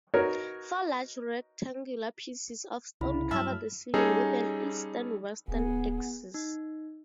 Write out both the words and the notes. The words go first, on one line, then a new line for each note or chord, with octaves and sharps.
Four large rectangular pieces of stone cover the ceiling with an eastern-western axis.
D#4 F#4 A#4 B4 C#5
C2 C#3 E4 B5
G2 E3 F#3 E5 A5 B5 F6
G3 C#4 D#4 G#4 A4
D1 B3 G#4
D#4